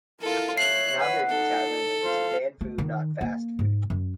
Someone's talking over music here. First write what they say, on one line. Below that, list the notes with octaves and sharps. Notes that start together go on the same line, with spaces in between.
Now, their new tagline reads, "Fan Food, not Fast Food".
E4 F4 A4 A#4
C#5 E5 F#6 C7
B4 F#5
D#4 A4
F4 C5 F5
A3
D#3
A#3
G#2
F#2